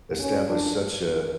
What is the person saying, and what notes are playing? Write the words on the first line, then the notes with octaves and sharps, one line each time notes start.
establish such a
C#4
D4